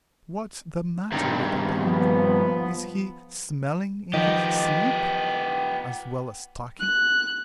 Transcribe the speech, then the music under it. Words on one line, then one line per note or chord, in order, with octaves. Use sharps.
"What's the matter with the dog? Is he SMELLING in his sleep--as well as talking?"
G2 D#3
F3 B3
D#3 F3 B3 G4 D#5
F#6